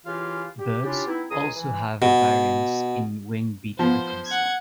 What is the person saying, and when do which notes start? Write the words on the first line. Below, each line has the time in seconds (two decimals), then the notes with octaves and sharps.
Birds also have a variance in wing beat frequency.
0.06 C#3 E3 E4 F4 G4 F5
0.59 G4
0.85 C#4 D4 E4 F4 G4
1.07 B3 C4 D#4 E4
1.31 C#2 G#4 A#5 D#6
1.56 E3
2.02 B2
3.79 F3 B3 C5
4.27 F#5 G#6